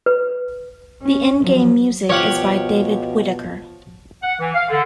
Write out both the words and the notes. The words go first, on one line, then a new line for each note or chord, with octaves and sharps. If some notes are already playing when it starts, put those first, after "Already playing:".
The in-game music is by David Whittaker.
B4
C#4
F3 F#3
B2 F3 G4 C#5 F5 F#5
F#5
E3
F5
D3